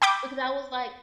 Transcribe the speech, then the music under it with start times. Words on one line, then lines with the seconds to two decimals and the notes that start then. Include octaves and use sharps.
because I was like
0.02 G5 B5 D6 G6